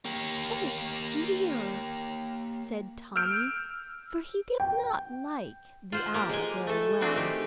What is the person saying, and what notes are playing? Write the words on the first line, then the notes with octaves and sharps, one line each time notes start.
"Oh, dear!" said Tommy, for he did not like the Owl very well.
A#3 G4
E6 F6 G6 D7
G5
F4 C5 F#5
A#3 G4
G#3 G#5
A3 A4
A3 C4 D4 F#4 G#4
D#3 G4